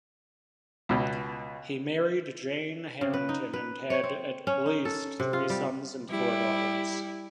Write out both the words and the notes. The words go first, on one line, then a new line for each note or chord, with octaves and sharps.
He married Jane Harrington and had at least three sons and four daughters.
C#2 B2
C#3
B4
D#4
B4
C#5
C4
C#4
D#4
A4
C3
F4
G3
G3 E4